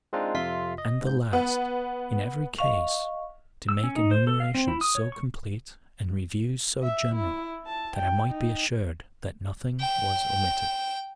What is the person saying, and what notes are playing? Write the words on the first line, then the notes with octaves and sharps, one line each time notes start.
And the last, in every case to make enumerations so complete, and reviews so general, that I might be assured that nothing was omitted.
G#3 C4 D4 D#4 F4
F2 C3 F4 E5 C6 B6
D#5
G#2 G6
B3
D#5 F5 C#6 F7
E6
C#4
D#4
C5
A4
F5
C4
E4
D#6
C#5
C#6
E5
E4
A5
G5
D#4
G5